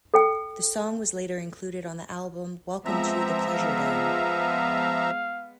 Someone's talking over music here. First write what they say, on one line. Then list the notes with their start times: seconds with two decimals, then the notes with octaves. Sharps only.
The song was later included on the album "Welcome to the Pleasuredome".
0.14 A4 G5
2.85 F3 G#3 B3 C4 E5 A#5
3.54 F5